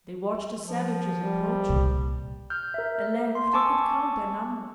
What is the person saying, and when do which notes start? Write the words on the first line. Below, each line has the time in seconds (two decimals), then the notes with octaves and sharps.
They watched the savages approaching; at length they could count their number.
0.67 F3
1.22 G3
1.69 C2 A#2
2.50 F6 G6
2.74 A#4 E5
3.35 C6
3.53 G#5 A5 C#6 D6 E6